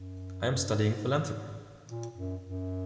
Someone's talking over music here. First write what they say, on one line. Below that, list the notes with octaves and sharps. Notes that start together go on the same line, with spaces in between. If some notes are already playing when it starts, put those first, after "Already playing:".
I am studying philanthropy.
Already playing: F#2
F#2
G2
G#2
A#2
F#2
F#2